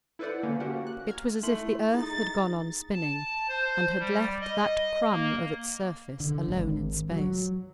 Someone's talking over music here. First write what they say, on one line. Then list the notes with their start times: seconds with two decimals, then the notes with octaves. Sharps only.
It was as if the earth had gone on spinning, and had left that crumb of its surface alone in space.
0.19 E4 A4 B4 C5 D5 F#5
0.43 D3 A#3 C#4
0.60 A#3 F#4 G4 A#4 C5 F#5
0.87 F#6
1.07 A#5 F6 G#6
1.43 A3 E4 C6 F#7
1.92 D#4 G#4 A6
2.94 A5
3.48 C5
3.98 G3
4.40 D#5
5.09 A#3
6.20 D3
6.48 G#1
7.11 F#3